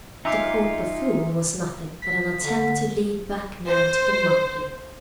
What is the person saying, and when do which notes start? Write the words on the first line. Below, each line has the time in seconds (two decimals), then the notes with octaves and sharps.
The Court buffoon was nothing but an attempt to lead back man to the monkey.
0.25 D#4 F4 E5 G#5 D6 C7
2.02 B6
2.39 D3
3.69 C5